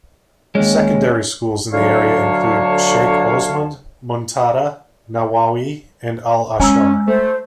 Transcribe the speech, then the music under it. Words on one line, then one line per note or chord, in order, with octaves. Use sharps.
Secondary schools in the area include Sheikh Osman, Muntada, Nawawi and Al-Ashar.
D#2 G#3 C#4
D2 D3 F#3 C#5 F5 A5
G#3 C#4 G#5 A#5 E6
A3 C5